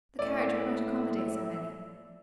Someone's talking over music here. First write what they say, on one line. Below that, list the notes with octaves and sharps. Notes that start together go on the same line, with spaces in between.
The carriage would not accommodate so many.
A2 D5 E5